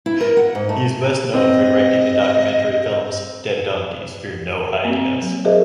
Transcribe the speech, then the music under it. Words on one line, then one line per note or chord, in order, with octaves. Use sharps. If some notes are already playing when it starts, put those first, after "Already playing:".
He is best known for directing the documentary films "Dead Donkeys Fear No Hyenas".
E4
A#4
F#5
G#2
A3
C4 D#5
A#3 C4
F#3
F#4 G#4 A#4 C5 D#5 E5